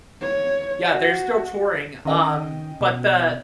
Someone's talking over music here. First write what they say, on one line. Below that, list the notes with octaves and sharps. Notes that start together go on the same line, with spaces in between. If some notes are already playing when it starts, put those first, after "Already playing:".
Yeah, they're still touring, um, but the
C#5
F#4
D#3 C#4 D#5 G5
B2